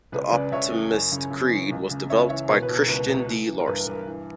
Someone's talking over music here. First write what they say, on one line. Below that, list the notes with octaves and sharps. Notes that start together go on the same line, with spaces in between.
The Optimist Creed was developed by Christian D. Larson.
C#2 B4
C#3 B4 D5
C#2 C#5 E5
E3
F#2
C#3
F#2
E3
C#2
C#3
C#2 C#5 E5
E3 C#5 E5
B2 A#4 C#5
B4
B2
A#4
C#2 B4
C#2
E3
E3
A#4
G2 B4
A#4
G2
A#4
E3